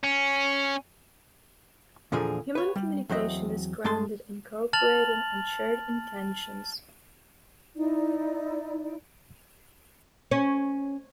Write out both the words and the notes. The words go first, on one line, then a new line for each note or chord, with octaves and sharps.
Human communication is grounded in cooperative and shared intentions.
C#4
E2 A#2 D3 F3 G#4 A#4
B4 C#5
G3
E2 F#3 C4 D#5 E5
G2 G#3 A3 A5 C6
A5 F6 A6 F7 F#7
D#4 E4 D5
C#4